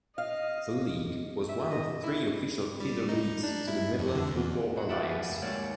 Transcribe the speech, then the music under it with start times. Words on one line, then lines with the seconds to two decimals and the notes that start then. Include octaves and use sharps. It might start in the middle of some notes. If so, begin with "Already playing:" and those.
The league was one of three official feeder leagues to the Midland Football Alliance.
0.18 D#5 F5
1.49 E5
1.71 D#5
2.03 E4
2.80 G3
3.09 D#4
3.43 D4
3.68 E4
3.99 F2
4.15 D3
4.31 E2
4.76 G2 F#4
4.89 G4 A#4 B4 D5 E5 F#5
5.11 G#5
5.28 D2 C#3
5.42 D#2 G#2 C3 A#3 C#5 D5